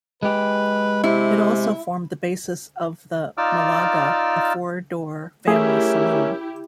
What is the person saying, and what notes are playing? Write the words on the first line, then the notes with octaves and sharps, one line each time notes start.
It also formed the basis of the Malaga, a four-door family saloon.
G#3 G4 B4
C3 E4
D#4 F4 D5 D6 E6 F6
A3 C#4 E4 G4 G#4 A#4 E5